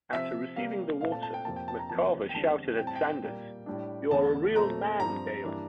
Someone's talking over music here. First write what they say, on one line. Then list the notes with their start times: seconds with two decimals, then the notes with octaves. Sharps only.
After receiving the water, McCarver shouted at Sanders, You are a real man, Deion.
0.12 C3 F3 C4 E5
0.56 C3 G3 A#3 F5
1.01 A#2 A3 C4 F5
1.12 A5
1.23 A5
1.34 G5
1.45 F2 C3 F3 A#3 A5
1.56 G5
1.68 A5
1.79 A#5
1.90 E2 C3 F3 A#3 A5
2.29 G5
2.34 E2 D3 G3 C4 A5
2.78 A2 G3 C4 G5
2.87 A5
2.96 G5
3.22 A#2 G3 A#3
3.66 A2 G3 D4
4.11 E2 D3 A3 D4 A5
4.55 A#2 A3 C4 A#5
5.00 G2 F3 C4 A#5
5.43 G2 E3 A#3 D4